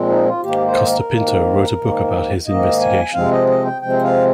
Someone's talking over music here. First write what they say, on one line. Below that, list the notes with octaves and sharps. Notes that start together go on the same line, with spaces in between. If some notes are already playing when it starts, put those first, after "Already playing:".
Costa Pinto wrote a book about his investigation.
Already playing: A#2 F3 G#3 C4
D#4
F4
G#2 D#3 A#3 G4
C5
A#4
G#2 D#3 A#3
G#2 D#3 A#3
G#2 D#3 A#3 D#5
G#5
C3 F3 G#3 C4 F5
D#5
D#5
G5
C3 F3 G#3 C4 G5
F5